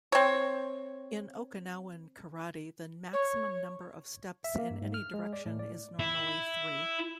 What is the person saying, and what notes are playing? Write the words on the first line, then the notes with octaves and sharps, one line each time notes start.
In Okinawan karate the maximum number of steps in any direction is normally three.
C4 C#5
C#5
E5
A#3
G2
G#2
F6
G#3
D5
A2
D5
E4